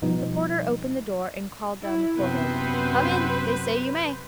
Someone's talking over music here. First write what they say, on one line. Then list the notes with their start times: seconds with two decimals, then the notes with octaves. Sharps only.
The porter opened the door and called down the corridor: "Come in. They say you may."
0.02 B2 F3 G3 B3 D#4
1.82 E4
2.17 F#2 C3 B3 B4 C5